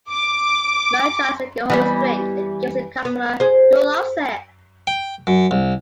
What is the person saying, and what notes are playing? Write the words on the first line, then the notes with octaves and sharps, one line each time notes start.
Moe tries making Homer's drink, and gives it to a customer, who loves it.
D6
E3 G3 B3
B3
G#4 C5
G5
F#2
C2